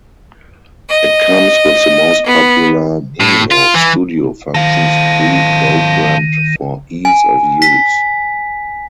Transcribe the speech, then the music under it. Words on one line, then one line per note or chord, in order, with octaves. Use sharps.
It comes with the most popular Mimio studio functions pre-programmed for ease of use.
D#5
B3
A2
F4
E3
D#3 A4 F5
G#5
B6